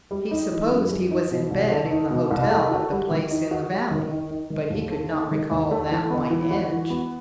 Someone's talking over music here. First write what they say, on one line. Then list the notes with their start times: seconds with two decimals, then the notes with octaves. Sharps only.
He supposed he was in bed in the hotel at the place in the valley--but he could not recall that white edge.
0.11 G3
0.31 D#4
0.52 E3
0.71 F#2
0.91 G3
1.11 D#4
1.31 B2
1.51 C2
1.71 A3
1.91 D#4
2.11 B2
2.31 C2
2.51 A3
2.71 F#4
2.91 G3
3.11 D#3
3.31 D#4
3.51 F#4
3.71 G3
3.91 D#3
4.11 D#4
4.31 D#4
4.50 D#3
4.70 D#2
4.91 A3
5.11 D#4
5.31 D#3
5.51 D#2
5.71 A3
5.91 E3
6.10 B3
6.30 E3
6.51 F#4
6.71 E3
6.90 B3